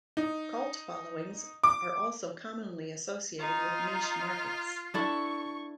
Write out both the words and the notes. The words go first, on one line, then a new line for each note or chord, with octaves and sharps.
Cult followings are also commonly associated with niche markets.
D#4
D6
D#4 F4
D4 E4 A4 C#6